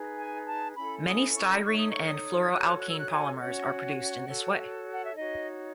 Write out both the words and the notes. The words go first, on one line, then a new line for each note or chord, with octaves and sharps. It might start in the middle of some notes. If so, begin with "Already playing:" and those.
Many styrene and fluoroalkene polymers are produced in this way.
Already playing: D#4 G#4 B4
G#5
A5
C#4 E4 A4 B5
D#6
C#6
D#4 A4 C#5 C#6
D#6
C#6
D#6
G#6
F#4 A4 C#5 F#6
F#6
E6
F#6
G#5
C#4 F#4 C#5 F#5
F#4 A4 C#5
F#5
E5
D#4 F#4 C#5 D#5